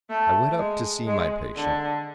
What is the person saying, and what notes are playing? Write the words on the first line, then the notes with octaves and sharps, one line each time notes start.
I went up to see my patient.
A3
G#3
G#3
D3